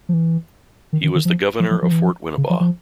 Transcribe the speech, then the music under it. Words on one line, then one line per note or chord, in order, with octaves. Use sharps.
He was the governor of Fort Winnebah.
F3
E3
D#3
D#3
D#3
F3
F3
F3
F3
E3
F3
C#3
F3
F3